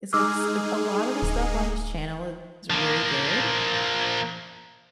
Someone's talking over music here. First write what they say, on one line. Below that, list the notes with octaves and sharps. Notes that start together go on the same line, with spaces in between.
it's like s a a lot of the stuff on his channel is really good,
G#3 D#4 G#4 D6 E6 F6
D1
F3 A#3